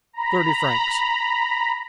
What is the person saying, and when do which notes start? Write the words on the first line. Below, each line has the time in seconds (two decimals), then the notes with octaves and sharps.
"Thirty francs."
0.13 A#5 B5